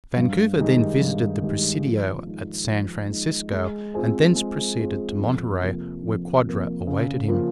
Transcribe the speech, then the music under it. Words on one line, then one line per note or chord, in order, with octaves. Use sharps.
Vancouver then visited the presidio at San Francisco, and thence proceeded to Monterey, where Quadra awaited him.
G2
D#3 G#3 D#4 G4
G2
D#3 G#3 D#4 G4
F3
G#3 D#4
F3
G#3 D#4
G#3
C4 F4 G#4 C5
G#3
C4 F4 G#4 C5
F2
C3 F3 A#3
F2
C3 F3 A#3
C#3
F3 A#3 F4